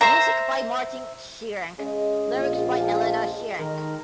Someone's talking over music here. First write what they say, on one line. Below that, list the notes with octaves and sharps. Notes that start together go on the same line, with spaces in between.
Music by Martin Schirenc, lyrics by Elena Schirenc.
C5 E5 A#5
C#3 G#3 D#5
A#1 F4
G#3 G4 A4
D#3 A#4